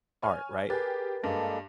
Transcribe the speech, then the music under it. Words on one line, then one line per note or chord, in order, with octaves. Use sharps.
art, right?
C#5 G#5 F6
G4 G#4 A#4 B4 A6
G2 G#3 A#3 A4